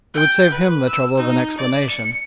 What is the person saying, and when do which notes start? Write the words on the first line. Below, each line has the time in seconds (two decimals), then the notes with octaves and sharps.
It would save him the trouble of an explanation.
0.14 G5
0.50 B4
0.88 E6
1.18 D#4
1.57 D5
1.89 C#7